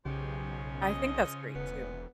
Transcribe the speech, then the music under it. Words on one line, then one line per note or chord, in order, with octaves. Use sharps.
I think that's great, too.
B1 C#3 F3 G#3 C#4 G4
D#5
E1 B3